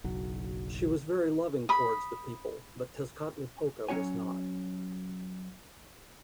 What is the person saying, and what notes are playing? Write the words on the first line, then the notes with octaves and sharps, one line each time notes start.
She was very loving towards the people, but Tezcatlipoca was not.
F#1 B1 F#3
B5 D#6
F#3 C#4 F#4 C#5 G#5